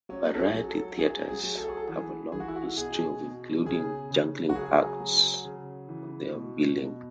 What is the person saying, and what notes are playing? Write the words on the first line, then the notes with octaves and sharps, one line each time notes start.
Variety theatres have a long history of including juggling acts on their billing.
F#3 C#4
A4
G#4
F#3
A4
F#3 G#4
G#4
F#3
A4
G#4
A4
E3 G#4
E3 G#4
F#4
E4
F#4
B2 G#4
B2
C#3 G#4
C#3
F#4
F#3 G#4
F#3
C#3
E3
B2
B2